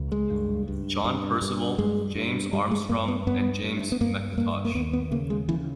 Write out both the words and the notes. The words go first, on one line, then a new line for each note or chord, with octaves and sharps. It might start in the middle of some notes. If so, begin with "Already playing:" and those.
John Percival, James Armstrong, and James McIntosh.
Already playing: C#2
G#3
G2
G2
G2
G2
G2 G#3
G2
G2 G3
G#3
G2 A#3
B3
G2 B3
G2
B3
G2 A#3
G2 A#3
A#3
D#2 B3
B3
C#3 A#3
G#3
C#3 E3